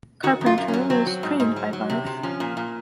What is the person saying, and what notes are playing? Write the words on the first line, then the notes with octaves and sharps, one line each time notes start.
Carpenter was trained by Barth.
D#3 F#4
F#2
F4
F#2
C#4
F#3
F#3 C4
F#3
G#2
G#2
F#3
F#3
C3
C3
F3 C#4
A#2
A#2